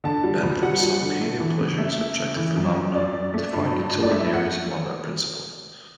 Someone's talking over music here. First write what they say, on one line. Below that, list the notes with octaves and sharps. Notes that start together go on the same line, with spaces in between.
Bentham saw pain and pleasure as objective phenomena, and defined utilitarianism on that principle.
D3 A5
G3
D2
G3 F#5
G3
D3
A3
E3
C#3
A3 E5
A3
C#3
E3
F#2
F#2
F#2 D5
F#2
A3
G2
F#3
G2
D5
A3 E5
A3 F#5